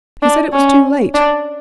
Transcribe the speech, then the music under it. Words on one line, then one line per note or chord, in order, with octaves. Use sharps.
He said it was too late.
D4
C#4
D4